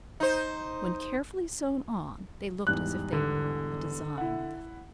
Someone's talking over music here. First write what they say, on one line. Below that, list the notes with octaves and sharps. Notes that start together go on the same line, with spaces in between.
When carefully sewn on they looked as if they were a design in the stuff.
D#4 C5
E2 G#2 G3 F#6
D3
E4 F#5